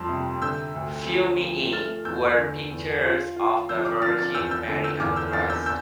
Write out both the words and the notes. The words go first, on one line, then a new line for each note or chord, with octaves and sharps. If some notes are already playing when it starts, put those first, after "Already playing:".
"Fumi-e" were pictures of the Virgin Mary and Christ.
Already playing: F2 G3 A5 C6
C3
D3 E6 G6
D2
F3
F3
A3 F6 A6
E2 E6 G6
D3
E2
F4
F4
F3 E6 G6
D6 F6
F3 F6 A6
F6 A6
E2 E6 G6
E6 G6
D3
E6 G6
E2 D6 F6
E6 G6
E2 F6 A6
E6 G6
E6 G6